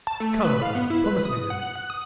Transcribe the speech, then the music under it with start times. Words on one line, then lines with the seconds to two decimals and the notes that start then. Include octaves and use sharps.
Come, warden, promise me this.
0.07 A5
0.20 A3
0.45 B4
0.62 F5
0.75 B3
0.90 E4
1.04 B4
1.25 D#6
1.50 F#5
1.76 F#6
1.90 D#6